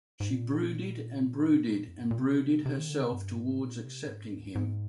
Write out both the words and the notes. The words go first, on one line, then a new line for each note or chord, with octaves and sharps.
She brooded and brooded and brooded herself towards accepting him.
G#2
A#2
F2
G2
G#2
A#2
C3
C3
D#3
D3
C3
G2
G#2
A#2
C3
G#2
G#2